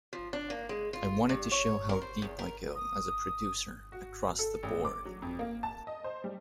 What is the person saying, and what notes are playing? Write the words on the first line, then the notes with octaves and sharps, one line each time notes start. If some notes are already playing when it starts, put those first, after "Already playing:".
I wanted to show how deep I go as a producer across the board.
F3
D4
A#3
G#3
F4
G2
C#5
A#4
C5
E2
A#4
D#6
F#4
A4
A1
D6
F#3
F2
A#3
A5
D#5
C5
G3